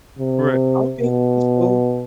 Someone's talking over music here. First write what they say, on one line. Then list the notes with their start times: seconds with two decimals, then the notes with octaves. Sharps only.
Right, okay, that's cool.
0.19 C3
1.01 B2